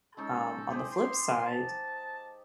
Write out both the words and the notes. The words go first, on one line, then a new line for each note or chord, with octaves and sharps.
um, on the flip side,
G#3 C#4 D#4 A4
G4 G#4 C5
C6
A5